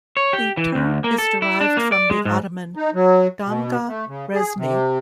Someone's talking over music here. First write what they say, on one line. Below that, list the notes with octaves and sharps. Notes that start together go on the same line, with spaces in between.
The term is derived from the Ottoman damga resmi.
C#5
G4
E3
D2
A#3
A4
E4
D4
A#3
D5
G#3
G#2
D#4
F#3
B2
A3
C#3
G#4
C3